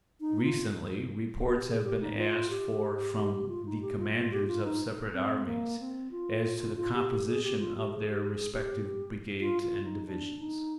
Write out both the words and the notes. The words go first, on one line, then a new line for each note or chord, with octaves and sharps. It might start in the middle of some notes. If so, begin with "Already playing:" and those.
Recently reports have been asked for from the commanders of separate armies as to the composition of their respective brigades and divisions.
D#4
F4
G4
G#4
G4
D#4
F4
G4
F4
D#4
G4
F4
F4
G4
F4
D#4
C4
A#3
C4
F4
F4
G4
G4
G#4
G4
F4
G4
G#4
G4
G#4
G4
F4
F4
D#4
D4
D#4